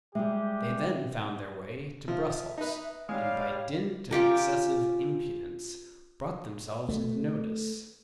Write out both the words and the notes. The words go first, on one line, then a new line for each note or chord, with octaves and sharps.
They then found their way to Brussels, and by dint of excessive impudence, brought themselves into notice.
G3 G#3 G4 E5
F3 E5
D#4 B4
G3 G#3 C#5 F5
C#4 F4 G4 A#4
A3